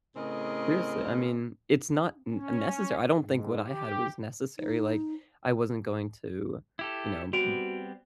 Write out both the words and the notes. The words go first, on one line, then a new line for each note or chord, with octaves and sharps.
seriously, I mean, it's not n necessary, I don't think what I had was necessary, like, I wasn't going to, you know, b
A2 C#3 C4 G#4 A#4 D#5
C#4
G#2
G4
D#4
E4 G4 A4
G3 B3 C4 F#4 D7 F7